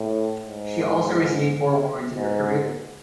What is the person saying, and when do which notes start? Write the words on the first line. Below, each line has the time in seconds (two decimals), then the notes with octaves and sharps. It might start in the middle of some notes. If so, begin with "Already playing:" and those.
She also received four awards in her career.
Already playing: A2
0.45 G#2
2.17 G#2